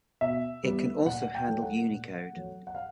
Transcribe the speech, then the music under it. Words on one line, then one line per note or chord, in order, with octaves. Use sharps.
It can also handle Unicode.
B2 E5
G3 B3
A#2 F#5
G5
F#3 A3
F#5
A#2
F#3 A3
F#5
F5